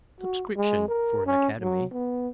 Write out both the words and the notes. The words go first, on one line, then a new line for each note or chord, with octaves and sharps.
Subscription for an Academy.
F#4
G#3
A#4
C#4
F#3
B3